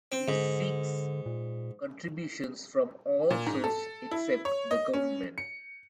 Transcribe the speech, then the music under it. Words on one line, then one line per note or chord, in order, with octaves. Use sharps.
It seeks contributions from all sources except the government.
C4
G#2 D3
A#2
A#2
G#2
A4
E4
C#5
D#5
C#4
C#7